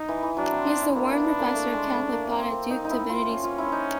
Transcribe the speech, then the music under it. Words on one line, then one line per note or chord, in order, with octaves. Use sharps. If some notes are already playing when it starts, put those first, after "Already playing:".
He is the Warren Professor of Catholic Thought at Duke Divinity School.
Already playing: D#4
E3
E3
F#3 D4
C4
D#4
E4
A#3 D4
B3
B3
A#3
A3
G#3
A3
A#3
C4
C4
D#4
D#4
E4
F4
C#4
F4
E4
D#4